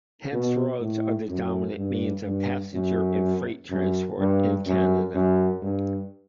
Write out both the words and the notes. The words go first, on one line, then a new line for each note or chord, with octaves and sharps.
Hence roads are the dominant means of passenger and freight transport in Canada.
B2
A2
F#2
G2
G2
F#2
F#2
G2
F#2
F#2
G2